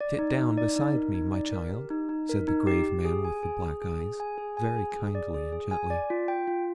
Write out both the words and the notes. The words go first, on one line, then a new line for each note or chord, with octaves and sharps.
'Sit down beside me, my child,' said the grave man with the black eyes, very kindly and gently.
D5
D#4
D#4
D5
D#4
A#4
D#4
D5
A#4
G4
D#4
D#4
A#4
D#4
G4
G4
G#4
G#5
G#4
G#4
G#4
G#4
G#5
G#4
G#5
G#4
G#4
D5
G#4
G#4
G#5
D5
F4
G5
F4